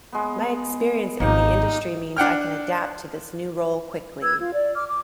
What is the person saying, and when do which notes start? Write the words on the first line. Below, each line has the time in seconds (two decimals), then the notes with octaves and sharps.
My experience in the industry means I can adapt to this new role quickly.
0.13 G#3 B3
1.20 G#1 A#3 D#4 G4
2.17 D4 F#5 G5 F6
4.22 B4 E6 G#6
4.38 F4
4.53 D5
4.74 D6 F6
4.88 D6